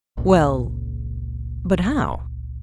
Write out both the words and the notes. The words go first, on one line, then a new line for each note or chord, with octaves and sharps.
"Well; but how?"
G#1 C#2 A#2